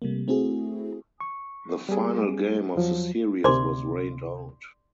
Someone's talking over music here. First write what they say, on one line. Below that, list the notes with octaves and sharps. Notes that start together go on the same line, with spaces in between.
The final game of the series was rained out.
C3 G3 A3 A#3
A3 C4 E4 F#4 G#4
C#6
G3 B3 G#4
E2 F3 F#3
D2 C3 A#4 C5 D5 G#5 C6 D6